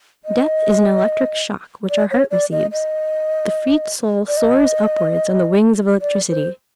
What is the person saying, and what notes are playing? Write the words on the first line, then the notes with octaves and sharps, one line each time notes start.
Death is an electric shock which our heart receives; the freed soul soars upwards on the wings of electricity.
D#5
D5
C#5
D5
D#5
D#5
D5
D#5
D5
C5